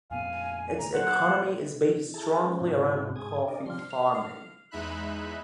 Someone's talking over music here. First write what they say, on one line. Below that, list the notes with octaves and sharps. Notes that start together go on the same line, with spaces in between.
Its economy is based strongly around coffee farming.
F2 A#2 B3 F5 G#5
D2 E3 A#5
A#2 F#3 C5 F#5
E4 G#4 A4 A5 A#5
G#3 C#4
G#2 C3 C4 D4 E4 F#4
G#2 G#4 G#5 D#6
D4 A#4 D5 D#5
F3 G3 D4 C6
E2 G#3 D#4 E5 B5 F#6